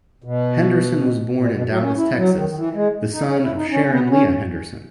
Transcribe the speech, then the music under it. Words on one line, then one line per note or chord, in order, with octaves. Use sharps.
Henderson was born in Dallas, Texas, the son of Sharon Lea Henderson.
B2
A#2
B2
F#3
C#4
E4
F#3
D#3
D#3
E3
G#3
D#4
C#4
E4
D#4
C#4
C#4
B3
B3
C#4